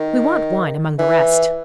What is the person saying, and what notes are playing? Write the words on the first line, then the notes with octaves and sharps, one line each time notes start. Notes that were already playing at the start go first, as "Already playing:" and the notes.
We want wine, among the rest.
Already playing: D#3
E3